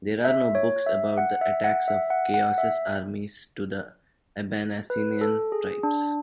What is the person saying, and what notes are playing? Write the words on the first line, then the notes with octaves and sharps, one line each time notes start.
There are no books about the attacks of Chaos's armies to the Abanasinian tribes.
E5
C#5
E5
F#5
E5
F#5
E5
F#5
F#5
E5
B4
A4
G#4
D4